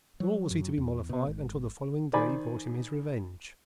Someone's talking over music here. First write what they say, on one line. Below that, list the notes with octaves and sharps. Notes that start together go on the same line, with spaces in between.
Nor was he to be mollified until the following day brought him his revenge.
F#3
F#2
E2
B2
G#1
D#3 C5 D5 G#5 B5